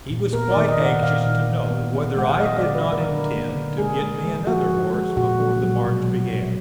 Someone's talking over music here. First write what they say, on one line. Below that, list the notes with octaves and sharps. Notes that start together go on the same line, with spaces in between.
He was quite anxious to know whether I did not intend to get me another horse before the march began.
A#2
B3 A#4
D#3 D5
D#5
D#3
F#5
A#2 F5
A#2
A#2
B3
B3
G#3 F#5
F5
F#3 D#5
D5
D3
B4
D3
A#4
D3 A#4
A#3
D3
G#3 G#4
G#3
G#3
F3 F#4
F3
G#3
A#2 F#4
F#3
F#3
B2
F#3
F#3